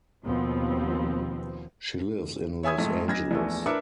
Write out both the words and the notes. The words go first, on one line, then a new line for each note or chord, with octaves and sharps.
She lives in Los Angeles.
D#2 B2 F3 B3 C4
C#5 E5 G#5 D#6 G#6
F2 G#2 A3
B1 G#6 A#6
A#1 E2 A3
D4 A#4 B4 E5 D6 C#7